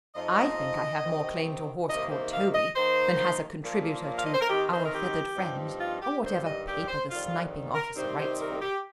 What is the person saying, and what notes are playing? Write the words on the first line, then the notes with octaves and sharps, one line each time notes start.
I think I have more claim to a horse called Toby than has a contributor to "Our Feathered Friends" or whatever paper the Sniping Officer writes for.
F2 F3 D#4 D#5
C3 D#3 C4
C3 D#3 A#3 D#4 D#5
C5
F5
D#5
D#3 A#3 D#4 C5
A#2 F3 A#3
F5
D#5
C5
A#4
D#3 C4 D#4 G4
C5
A#4
G4
G2 F3 C4 D#4
F4
G4
G2 D#3 G3 C5
D#5
G4
C5
F2 D#3 G3 F4
A#4
C3 D#3 G3 C4 D#4 C5
C5
A#4
G4